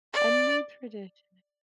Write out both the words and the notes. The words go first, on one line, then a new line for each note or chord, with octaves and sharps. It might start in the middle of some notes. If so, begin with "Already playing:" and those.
a new tradition.
D5